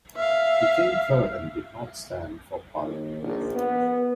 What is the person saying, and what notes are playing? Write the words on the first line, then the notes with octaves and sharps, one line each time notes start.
He came third and did not stand for parliament again.
E5 F5
D#2
A#1
B3